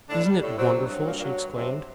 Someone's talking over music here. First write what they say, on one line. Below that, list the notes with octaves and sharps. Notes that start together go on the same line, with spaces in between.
"Isn't it wonderful!" she exclaimed.
A2 D3 D4
G3
A2
C3 F#3 C4
G2
F#3
G2 A#2 A#3
A#2 A#3
F#3
G2
C3 F#3 C4